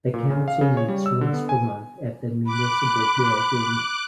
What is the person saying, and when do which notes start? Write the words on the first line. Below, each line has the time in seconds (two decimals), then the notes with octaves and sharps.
The council meets once per month at the municipal building.
0.14 A#2
0.30 C#3
0.48 F5
0.61 C#3
0.77 C#5
0.88 G3
1.06 E6
1.21 D3
1.33 B3
1.49 G#5
2.46 B5 D6 F#6